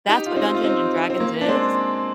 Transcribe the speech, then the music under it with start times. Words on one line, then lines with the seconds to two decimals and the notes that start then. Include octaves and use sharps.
That's what Dungeons& Dragons is?
0.08 D#4 G4
0.26 F4
0.36 C4 D#4
0.55 F4
0.64 C4 D#4
1.10 C4
1.20 A#3
1.41 D4
1.48 G#3 C4